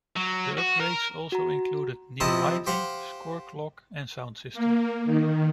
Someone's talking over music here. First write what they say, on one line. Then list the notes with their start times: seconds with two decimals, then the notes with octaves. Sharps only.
The upgrades also included new lighting, score clock and sound system.
0.16 F#3
0.57 F#4
0.81 A#4
1.32 F#4 A#5
2.20 C3 F3 E4 D#5 A5
2.67 G4 C5 F5 F#5
4.53 A#3
5.05 D#3